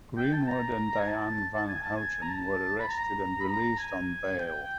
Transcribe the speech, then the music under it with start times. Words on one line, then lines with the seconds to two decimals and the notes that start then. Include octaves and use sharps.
Greenwood and Dyanne Van Houten were arrested and released on bail.
0.17 G5
0.33 A5
0.48 A#5
0.98 G#5
1.07 A5
1.68 G#5
1.81 A5
1.95 G#5
2.22 A#5
2.28 A5
2.80 B5
2.88 A#5
3.40 B5
3.48 A#5
3.77 G#5
4.39 G5